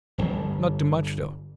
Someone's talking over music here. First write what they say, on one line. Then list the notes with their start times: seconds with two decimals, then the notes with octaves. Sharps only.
Not too much, though.
0.18 D1 G1